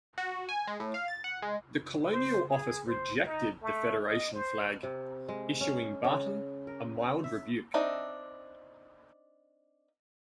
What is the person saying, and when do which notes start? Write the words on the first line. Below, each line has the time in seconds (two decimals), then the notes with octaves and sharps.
The Colonial Office rejected the Federation Flag, issuing Barton a mild rebuke.
0.18 F#4
0.49 G#5
0.68 G#3
0.80 A2
0.94 F5
1.08 A6
1.24 F#5
1.42 G#3
2.12 C5
2.49 G#4
2.88 C5
3.26 D#4
3.63 A3
4.05 D#5
4.33 C5
4.83 C3
5.29 G#3
5.61 C#4
6.04 C#3
6.67 A#4
7.24 E5
7.74 C4 D4 D#4 D#5 E5